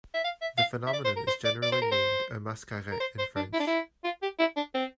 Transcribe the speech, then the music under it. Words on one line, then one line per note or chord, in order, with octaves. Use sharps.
The phenomenon is generally named "un mascaret" in French.
E5
F5
E5
F5
E5
D5
C5
A#4
C5
D5
D5
C5
A#4
C5
A#4
C5
C5
D4
E4
D4
E4
F4
G4
E4
D4
C4